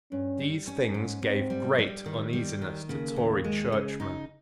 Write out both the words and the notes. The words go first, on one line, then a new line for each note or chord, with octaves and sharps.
These things gave great uneasiness to Tory churchmen.
G2 C#4
G3
C#4
G#2
G#2 C4
G3
G3
D#3
G3
D#3
C#3 A#3
D#2
G#3
C#3
D#4